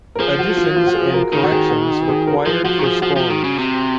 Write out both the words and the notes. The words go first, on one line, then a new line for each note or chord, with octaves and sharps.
Additions and corrections required for scorers.
A#4
F3 G#4
F#4
F4
F4
F#4
G#4
A#4
D#3 A#4
F#4
G#4
F#4
G#4
A#4
F3 G#4
F3 F#4
D#3
F3 G#4
F3 F#4
F3
D#3
C#3
C3